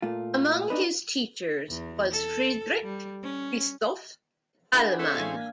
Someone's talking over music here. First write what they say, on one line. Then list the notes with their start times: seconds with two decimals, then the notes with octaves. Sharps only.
Among his teachers was Friedrich Christoph Dahlmann.
0.02 A#2 A3 F4
0.70 D4 D#4 B4
1.69 E2
2.11 A4
2.83 G3
3.23 C#4
4.74 D4 E4 G4 G#4 A#4 F#5 G#5
4.99 A3 C4 C#4 G#4
5.15 A2 E3 G#3 F5 G#5
5.34 A#3